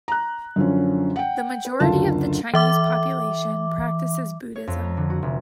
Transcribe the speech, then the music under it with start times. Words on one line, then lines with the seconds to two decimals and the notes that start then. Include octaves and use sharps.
The majority of the Chinese population practises Buddhism.
0.08 A#5 F#6
0.56 F#2 D3 F3 C#4
1.16 F#5 G5
1.65 B4
1.80 F#1 D2 D3 F4 A5
2.54 E3 E5 D6
4.56 C#5
4.67 F2
4.84 A#5
4.97 D3
5.10 F#4
5.23 F1